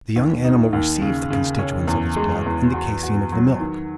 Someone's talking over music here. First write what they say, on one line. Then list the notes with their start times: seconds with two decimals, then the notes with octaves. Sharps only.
The young animal receives the constituents of its blood in the caseine of the milk.
0.16 D#2
0.44 D#4
0.73 D#2
1.02 C#3
1.30 C#3
1.59 C#4
1.88 E2
2.16 G#3
2.46 E2
2.74 F#4
3.03 F#4
3.32 F#3
3.60 D#3